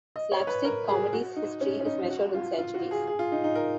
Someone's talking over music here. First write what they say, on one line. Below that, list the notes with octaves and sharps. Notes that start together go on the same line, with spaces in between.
Slapstick comedy's history is measured in centuries.
D#5
C#5
B4
A#4
G#4
F#4
D#4
C#4
C#4
D#4
F#4
F4
F4
F#4
G#4
G#4
F4
D#4
D#4
A#4